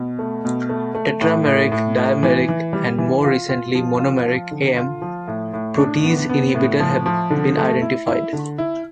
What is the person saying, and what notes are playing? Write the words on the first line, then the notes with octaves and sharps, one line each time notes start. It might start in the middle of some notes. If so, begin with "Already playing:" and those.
Tetrameric, dimeric, and, more recently, monomeric aM protease inhibitors have been identified.
Already playing: B2
A3
B2
A3
A3
A2
A2
A2
A2
E3
E3
G3
E3
F4
F4
F3
F4
F3
D3
F4
F3
A2
A2
D4
B3
B3
A2
F3
F3
D3
A3
E4
E4
D3
E4